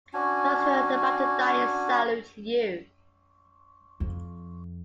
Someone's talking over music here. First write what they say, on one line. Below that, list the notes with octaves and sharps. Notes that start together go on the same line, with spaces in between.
Those who are about to die salute you!
C#4 D4 F#4 G#5
F2